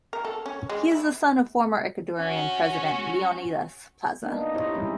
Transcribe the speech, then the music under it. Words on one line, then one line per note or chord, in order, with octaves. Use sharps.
He is the son of former Ecuadorian President Leonidas Plaza.
A#4
A4
C#4
G#3
E4
C#4 F#4
A#3 B3 D4 D#4
D#5
D#4 E4 G4 C5 C#5 D#5
E3 G3 G#3 C4 C#4 E4